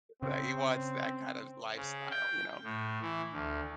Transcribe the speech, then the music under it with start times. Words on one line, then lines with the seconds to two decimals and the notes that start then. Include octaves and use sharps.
Like, he wants that kind of lifestyle, you know?
0.23 C#3 C4
1.76 C#3
2.11 G5
2.64 A2
3.01 E3
3.32 D2